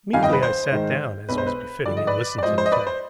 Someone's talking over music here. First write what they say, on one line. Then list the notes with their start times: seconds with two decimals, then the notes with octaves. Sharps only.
Meekly I sat down, as was befitting, and listened to the talk.
0.13 G1 F2 D#3 G3 F5 G#5
0.23 D#5 G5
0.33 B4
0.43 C5
0.71 G#2 D#3 G#3
1.29 B1 B2 G#3 D4 B4
1.38 C5
1.47 B4
1.86 G2 D3 F3 D5
1.97 D#5
2.07 B4 D5
2.38 D5
2.43 G#2 F3 G#3 C5 D#5
2.58 C5
2.66 D#5
2.72 B4 D5
2.87 C5